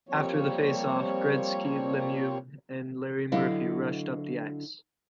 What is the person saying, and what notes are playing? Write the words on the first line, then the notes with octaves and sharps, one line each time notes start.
After the faceoff, Gretzky, Lemieux and Larry Murphy rushed up the ice.
F3 G3 A#3 C4 C#5
D3 F#3 E4 D#5 F5